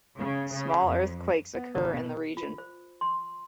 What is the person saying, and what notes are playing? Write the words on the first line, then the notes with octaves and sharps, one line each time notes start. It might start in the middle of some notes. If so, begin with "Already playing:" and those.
Small earthquakes occur in the region.
C#3
C#3
F2
B3
G#1
B2
F4
C5
C6